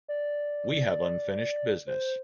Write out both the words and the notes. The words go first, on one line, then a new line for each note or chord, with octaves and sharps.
We have unfinished business.
D5
C5